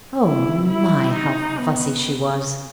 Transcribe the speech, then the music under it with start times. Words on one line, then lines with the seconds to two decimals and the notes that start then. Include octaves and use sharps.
Oh my, how fussy she was!
0.23 E4
0.68 E4
1.13 D#4
1.58 B3